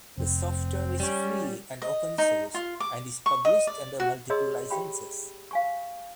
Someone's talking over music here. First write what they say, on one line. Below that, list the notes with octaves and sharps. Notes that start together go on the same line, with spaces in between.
The software is free and open source and is published under multiple licenses.
F1 C4
G3 C#4
D#5
D#4
F4
D6
C#6
D#5
D5
F#4
G#4 C#5 D#5 A#5 C6 E6
G4 G5 B5
F5 G#5 C#6